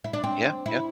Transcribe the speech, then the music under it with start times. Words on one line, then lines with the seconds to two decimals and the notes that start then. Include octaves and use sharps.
Yeah, yeah.
0.04 E4
0.13 D4
0.23 C4
0.66 E4